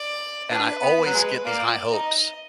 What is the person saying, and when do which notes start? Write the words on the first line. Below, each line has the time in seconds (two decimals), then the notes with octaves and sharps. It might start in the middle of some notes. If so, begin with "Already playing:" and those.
And I always get these high hopes
Already playing: D5
0.51 D4 B4
0.82 B3
1.06 F#3
1.14 G#3
1.45 A#3 D5
1.92 D#4 D#5